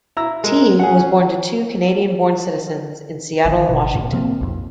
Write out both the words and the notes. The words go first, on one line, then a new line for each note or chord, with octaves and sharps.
Tee was born to two Canadian-born citizens in Seattle, Washington.
E4 A#5 E6
G#3 A#4
C#4 G#4 F#5
A1 D#3
G1 B2
D1 G#1 G2 A#2
C3 F3 A#3 C4
B1 F2